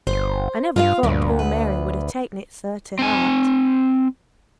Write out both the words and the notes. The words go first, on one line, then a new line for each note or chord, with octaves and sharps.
I never thought poor Mary would have taken it so to heart!
G1 C5
G2 F4 D#5 F5
D2 G2 A#2
B4
C4 G#5